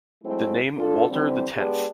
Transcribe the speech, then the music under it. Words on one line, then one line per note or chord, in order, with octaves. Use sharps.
The name Walter the Tenth.
F#3 G#3 A3 C4 E4
D4 F4 A4
D3 E3 G3 C4
G#3 B3 D4 G4